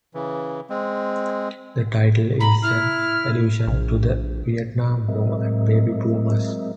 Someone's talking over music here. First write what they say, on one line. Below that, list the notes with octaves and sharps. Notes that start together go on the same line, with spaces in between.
The title is an allusion to the Vietnam War and baby boomers.
C#3 E3
G#3 C4
A#5 B5
E4 F6
A#1
F#3 G#3 C4 A#4 D#5 E5